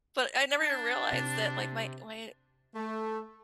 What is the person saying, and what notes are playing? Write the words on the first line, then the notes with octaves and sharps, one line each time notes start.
But I never even realized that, like my my
D4
C3
A3